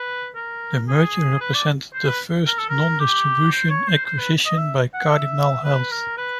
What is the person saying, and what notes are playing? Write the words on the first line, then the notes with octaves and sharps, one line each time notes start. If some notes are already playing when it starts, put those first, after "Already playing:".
The merger represented the first non-distribution acquisition by Cardinal Health.
Already playing: B4
A#4
G#4
B4
D5
C5
B4
A#4
A4
A#4
G4
C5
C#5
C5
C5
B4
D#5
E5
F#5
E5
B4
A#4
B4